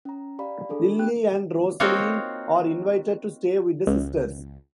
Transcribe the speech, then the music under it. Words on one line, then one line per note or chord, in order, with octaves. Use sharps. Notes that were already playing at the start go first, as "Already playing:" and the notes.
Lily and Rosaleen are invited to stay with the sisters.
C#4 A#5
G4 D5 F5 B5
D4 G#4 A4 B5
B3 G4 G5 F#6
A#3 C4 D#4 F4 F#4 C#5
C#2